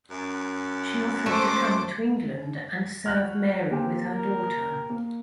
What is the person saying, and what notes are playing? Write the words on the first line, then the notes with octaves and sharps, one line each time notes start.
She offered to come to England and serve Mary with her daughter.
F#2
A3 A4 C5 D6
F#4 F6 F#6
A#3 C4 G4 G5
A#4
A#3